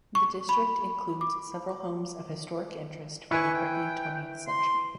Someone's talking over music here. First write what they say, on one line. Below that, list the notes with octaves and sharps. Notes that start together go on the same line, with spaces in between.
The district includes several homes of historic interest from the early twentieth century.
C#6
B5
D6
E4 B4 G#5 C#6
G5
C6